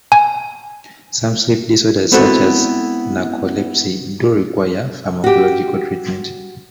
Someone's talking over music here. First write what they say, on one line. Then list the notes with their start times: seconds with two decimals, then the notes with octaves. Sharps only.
Some sleep disorders such as narcolepsy do require pharmacological treatment.
0.12 G#5
2.12 G#3 B3 C4 E4 F#4 A4
5.24 F#4 G4